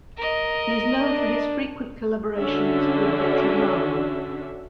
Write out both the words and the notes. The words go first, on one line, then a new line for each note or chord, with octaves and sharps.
He is known for his frequent collaborations with Vetrimaaran.
A#4 D#5
D4
D3 C#4 D4 F#4 E5